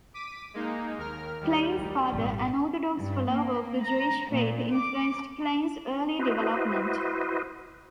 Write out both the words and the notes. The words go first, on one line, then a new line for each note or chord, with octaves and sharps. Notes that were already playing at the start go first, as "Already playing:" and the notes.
Klein's father, an Orthodox follower of the Jewish faith, influenced Klein's early development.
D6 B6 D#7
G#3 A#3 D#4
D#2 A#4 F6
D#2 G3
D3 A3
G#1 A#2
G2
A#3
A#5
A#2
D6
E4 F#4 B4 C5 D#5